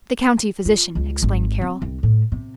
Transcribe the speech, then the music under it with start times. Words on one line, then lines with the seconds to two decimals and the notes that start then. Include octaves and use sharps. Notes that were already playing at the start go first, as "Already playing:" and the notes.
"The county physician," explained Carroll.
0.65 F4
0.95 C#2
1.22 G#1
1.61 C4
1.82 C2
2.03 A2
2.32 C3